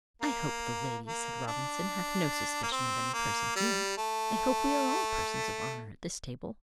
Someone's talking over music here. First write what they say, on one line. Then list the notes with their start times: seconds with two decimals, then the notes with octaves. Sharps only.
"I hope the lady," said Robinson, "hath no suspicion of any person here. I hope we are all persons of honour at this table."
0.22 A#3
1.06 A#3
1.47 D4
2.63 A#3
2.72 C4
3.14 A#3
3.56 G3
3.97 A3